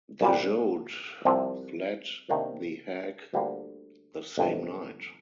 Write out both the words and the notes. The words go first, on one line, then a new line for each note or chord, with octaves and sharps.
De Jode fled The Hague the same night.
C2 A#2 G3
C2 C3 F3 C4
C3 D#3 A#3 D4
D2 D3 G3 A#3 F4
G1 F2 C3